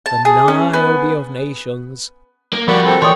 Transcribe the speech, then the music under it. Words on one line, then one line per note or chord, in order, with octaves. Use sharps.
The Niobe of nations!
A5
G#4
C#4
B3
A#3
F3 G3 F#4 A#4 D5 B5 C#6
C4 A4 C#6
A#2 E3 C#5 D5 E5 G5 C6 D#6